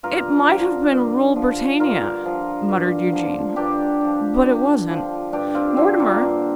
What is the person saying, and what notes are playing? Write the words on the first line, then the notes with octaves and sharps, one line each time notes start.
'It might have been Rule Britannia,' muttered Eugene, 'but it wasn't. Mortimer!'
G2 F4 A#4
D3 F3
G2
D3 F3
G2 F4 A#4
D3 F3
G2
D3 F3
G2 D4 G4
D3 F3
G2
D3 F3
G2 D4 G4
C4 F4
D3 F3 C4
A#3
G2